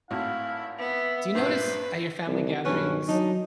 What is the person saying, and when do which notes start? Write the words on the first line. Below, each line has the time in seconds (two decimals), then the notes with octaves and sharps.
do you notice at your family gatherings,
0.10 G#1 A2 E4 F#4 F5
0.78 B3 E5 B5
1.35 A#1 G2 B4 C5
2.28 C2
2.65 B1 G2 C#4 B4
3.09 F#3 D4 D#4